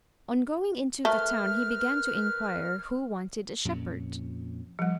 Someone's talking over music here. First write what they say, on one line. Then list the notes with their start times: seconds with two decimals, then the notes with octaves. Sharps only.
On going into the town he began to inquire who wanted a shepherd.
1.05 A3 A#4 B4 F6
3.65 F2 A#2 C#4
4.79 F3 G3